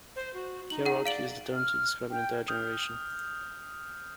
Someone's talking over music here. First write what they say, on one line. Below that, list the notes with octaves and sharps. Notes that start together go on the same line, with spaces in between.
Kerouac used the term to describe an entire generation.
C5
F#4
D#4 F#7
G#4 F#5
D5 F5 D7 F#7
F6
G5
D#6 F6 G6